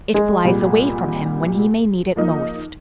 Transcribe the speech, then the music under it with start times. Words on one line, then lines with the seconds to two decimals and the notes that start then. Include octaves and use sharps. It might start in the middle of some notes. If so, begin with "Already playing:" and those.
It flies away from him when he may need it most.
0.14 G#3
0.44 C2 A#2 G3
2.16 F3 A#3 D#4